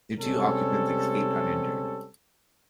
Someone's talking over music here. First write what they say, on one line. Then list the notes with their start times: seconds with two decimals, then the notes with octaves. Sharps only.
The two occupants escaped uninjured.
0.19 C3 G3 G#3 C4 C#4 A4